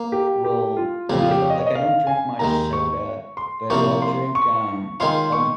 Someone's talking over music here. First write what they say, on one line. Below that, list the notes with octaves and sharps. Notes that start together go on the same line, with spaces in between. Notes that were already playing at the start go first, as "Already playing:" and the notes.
will make like, I don't drink much soda, but, I'll drink, um, I'll m
Already playing: A#3
G4
G4
F4
F2 C#3 F3 G4
F4
G4
C#5
D#5
C#5
D#5
F5
G#5
D#2 D#3 G#3 A#5
C#6
C6
C2 C3 F3 A#3 F4 C#6
C6
C#6
D#3 G#3 C#4 F4 C6
C#6